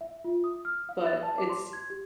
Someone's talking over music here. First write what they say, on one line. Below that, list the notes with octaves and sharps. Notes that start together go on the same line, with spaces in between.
but it's
E5
F4
D#6
F6
F5
A6
A5
D6
C6
G#6
G4